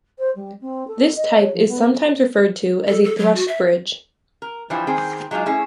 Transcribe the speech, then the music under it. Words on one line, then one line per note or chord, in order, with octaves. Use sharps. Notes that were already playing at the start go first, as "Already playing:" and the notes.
This type is sometimes referred to as a thrust bridge.
C5
G3
C4
A4
D#5
C#5
F3
B3
A4
A4
F#3
F#4
E5
A#4
E3 F3 G3 D4 E4
D#3 C4 G#4
F#3 G#3 D4 D#4 F4
A3 C#4 E4 G#4